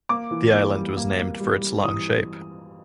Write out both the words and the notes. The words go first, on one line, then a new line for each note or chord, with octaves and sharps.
The island was named for its long shape.
A#3 D6
E3
A#3
G3
A#3
A#3
G3
G3
E3 D#6